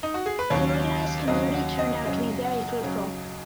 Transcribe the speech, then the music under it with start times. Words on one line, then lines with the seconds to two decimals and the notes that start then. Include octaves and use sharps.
The organized community turned out to be very fruitful.
0.03 D#4
0.14 F#4
0.26 G#4
0.39 B4
0.50 D#2 C#3 F#3 C#5
1.28 D#2 C#3 F#3 D#5
1.54 F#5
1.79 D#5
2.05 F#2 C#3 F#3 D#5
2.45 F#5
2.83 F#2 C#3 F#3